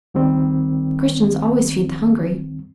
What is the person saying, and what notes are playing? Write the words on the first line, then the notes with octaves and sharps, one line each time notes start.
Christians always feed the hungry.
C#2 D#3 G3 C4